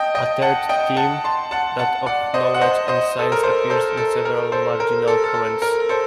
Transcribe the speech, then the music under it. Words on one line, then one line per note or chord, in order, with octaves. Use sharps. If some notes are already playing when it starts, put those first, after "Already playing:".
A third theme, that of knowledge and science, appears in several marginal comments.
Already playing: D#5 G5 A5
D#5 G5
F#5 A5
D#5 G5
F#5 A5
A5 C6
F#5 A5
F#5 A5
D5 F#5
C5 D#5
F#5
C5 D#5
C5 D#5
A4
A#4
A4 C5
A4 C5
A4
A#4
A4 C5
A#4
A4
A4
A4
A#4
A4 C5